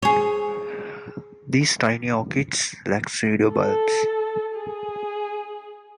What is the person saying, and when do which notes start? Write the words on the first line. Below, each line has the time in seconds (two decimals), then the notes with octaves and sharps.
These tiny orchids lack pseudobulbs.
0.02 G#4 C#5
3.52 A4
4.56 G#4